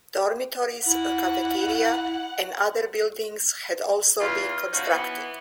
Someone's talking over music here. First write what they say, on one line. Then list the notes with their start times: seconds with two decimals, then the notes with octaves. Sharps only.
Dormitories, a cafeteria, and other buildings had also been constructed.
0.86 E4 F#5
4.20 E2 F4
4.73 B2 F3 C#4 D#4 F#4
4.91 E3 B3